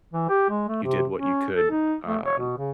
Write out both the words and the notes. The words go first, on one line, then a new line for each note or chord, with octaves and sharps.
you did what you could, um,
E3
G4
G#3
A3
C3
C#4
A4
D#4
A3
C#5
B2
C#3